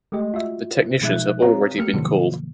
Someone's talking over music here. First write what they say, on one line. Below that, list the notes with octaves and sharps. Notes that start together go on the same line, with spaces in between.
The technicians have already been called.
G#3 A3 G4 D#5
F4 F#4 E5
B2 F3 G#3 D#4 E5 F#6
C4 G4 C#5 F5 A#5
A3 A#3 G4 F6 C#7
G#2 C3 D#3 F3 F#3 A#3